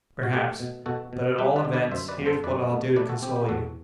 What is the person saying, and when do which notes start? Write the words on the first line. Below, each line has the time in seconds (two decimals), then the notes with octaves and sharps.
"Perhaps! but at all events, here's what I'll do to console you."
0.23 F#4
0.33 A3 G4
0.60 B2
0.86 B2 F#4 A4
1.13 B2
1.38 G3 G4 B4
1.56 B4 D5
1.65 D3
1.73 B4 D5
1.91 F#2 C5 E5
2.08 B4 D5
2.18 G1
2.26 A4 C5
2.44 F#2 B4 D5
2.70 A3
2.96 A3 B4 D5
3.09 F#4 A4
3.22 C4 G4
3.36 G4
3.49 E2 F#4 A4